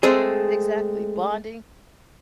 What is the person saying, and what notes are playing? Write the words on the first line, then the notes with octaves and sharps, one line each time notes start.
Exactly, bonding
G#3 A3 C4 G#4